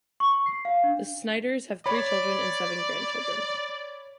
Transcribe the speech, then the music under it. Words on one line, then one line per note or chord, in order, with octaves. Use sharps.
The Snyders have three children and seven grandchildren.
C#6
C7
F5
D4
C#5 D5 B5